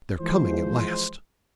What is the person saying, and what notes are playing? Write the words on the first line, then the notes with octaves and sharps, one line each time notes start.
'They're coming at last.'
E3 F3 G#3 C5